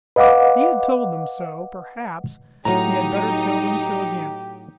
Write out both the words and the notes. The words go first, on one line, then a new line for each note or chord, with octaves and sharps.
He had told them so--perhaps he had better tell them so again.
B4 D#5 F5 F#5 D6
A2 F#3 D#4 G4 A#5